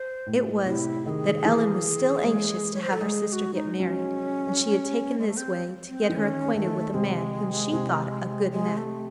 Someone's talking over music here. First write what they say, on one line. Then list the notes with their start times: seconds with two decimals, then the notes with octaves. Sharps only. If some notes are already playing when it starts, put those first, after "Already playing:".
It was that Ellen was still anxious to have her sister get married, and she had taken this way to get her acquainted with a man whom she thought a "good match".
Already playing: C5
0.26 A2
0.66 C3 E4
1.06 D#3 G#4 A4
1.45 E3
2.23 G#3
2.74 C#5
2.83 C5
2.93 A4
3.01 G#3 G#4
3.28 G#4
3.32 F#4
3.54 D#4
3.80 F#3 C#4
5.19 G#3
5.28 A3
5.37 C4
5.89 C4
6.09 E3
6.16 D#3 C#4
6.55 D#3 A3
6.94 C3 G#3
7.72 C3
8.52 G#3
8.77 A3